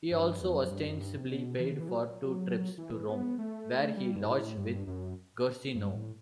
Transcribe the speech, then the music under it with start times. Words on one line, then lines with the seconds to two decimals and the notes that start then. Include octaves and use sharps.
He also ostensibily paid for two trips to Rome, where he lodged with Guercino.
0.11 G2
0.41 E2
0.55 F#2
0.71 G2
0.86 F#2
1.00 G2
1.18 C3
1.30 B2
1.60 E3
1.73 D3
1.80 E3
1.89 F#3
2.78 E3
3.08 B3
3.38 A3
3.97 G3
4.16 G2
4.28 A2
4.57 G2
4.87 F#2
5.75 G2
5.95 A2